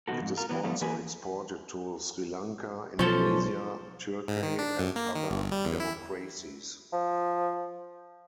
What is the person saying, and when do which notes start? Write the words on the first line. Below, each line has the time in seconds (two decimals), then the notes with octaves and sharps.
It is also exported to Sri Lanka, Indonesia, Turkey and other democracies.
0.08 B2 D#3 G#3 D#4 F#4 A4
0.21 F2 G#2
0.37 F4 A#4
0.49 E3 F#3 B3
0.64 D3 F3 G3 A3 B3
0.81 E3 A#3 B4 G#5
2.99 B1 F3 C#4 A4 C5
4.28 G#2
4.43 D#3
4.58 D4
4.79 F#2
4.96 A#3
5.15 D#3
5.30 G1
5.52 G3
5.65 E2
5.80 E4
6.93 F3